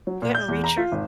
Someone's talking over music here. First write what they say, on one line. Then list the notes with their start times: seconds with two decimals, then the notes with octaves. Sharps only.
Didn't reach her.
0.07 F#3
0.22 A#2
0.35 G6
0.48 E2
0.64 A#5
0.77 F4
0.92 G#1